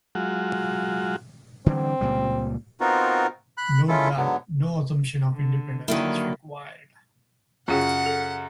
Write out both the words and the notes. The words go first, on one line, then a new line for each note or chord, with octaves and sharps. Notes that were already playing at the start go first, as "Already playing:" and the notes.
Note that no assumption of independence is required.
F#3 G#3 F4 F#4
D3 E3 G3 C4
C#2 A#2 G3
B3 C4 D#4 F4 F#4 A#4
B5 F#6
D#3 G#3 C#4 E4 F4 A4
G#2 D3 F#3 B3
D3
D3 D#3 F#3 G3 A#3 E4
F#2 C#3 F4 G#4 F#5 G5
A4